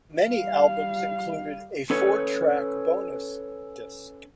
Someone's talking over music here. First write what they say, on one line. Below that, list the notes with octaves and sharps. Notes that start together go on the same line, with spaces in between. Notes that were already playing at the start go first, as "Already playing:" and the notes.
Many albums included a four-track bonus disc.
G3 F5
C#4 A4 B4 C#5